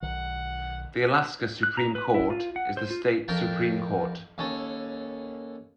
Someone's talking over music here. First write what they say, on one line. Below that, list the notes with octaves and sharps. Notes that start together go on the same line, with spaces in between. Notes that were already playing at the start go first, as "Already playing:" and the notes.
The Alaska Supreme Court is the state supreme court.
B1 D#3 F#5
F#6
A#5
B4
E4
F4
F#5
C5
F4
F2 A#4 G5 A5
D#2 C#4 A4